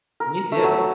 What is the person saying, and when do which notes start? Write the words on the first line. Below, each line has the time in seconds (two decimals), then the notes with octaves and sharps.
Me too.
0.20 A#4
0.52 A3
0.64 F#3